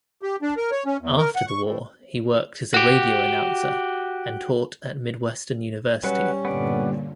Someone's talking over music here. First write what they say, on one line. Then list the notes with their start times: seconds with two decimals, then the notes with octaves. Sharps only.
After the war, he worked as a radio announcer and taught at Midwestern University.
0.22 G4
0.42 D4
0.57 A#4
0.71 C#5
0.85 C#4
1.01 E2
1.18 A#4
1.35 F#5
1.47 C#6
1.64 A2
2.74 F#4 G4
6.04 F#3 G3 C#4 B4 F#5
6.45 G2 A#2 D3 B3 D5